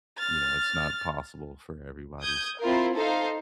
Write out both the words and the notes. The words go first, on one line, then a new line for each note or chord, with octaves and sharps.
you know, it's not possible for everybody, so
F6 A6
D#6 G6 G#6
C4 E4 F4 A#4
D#4 A4 C5 F5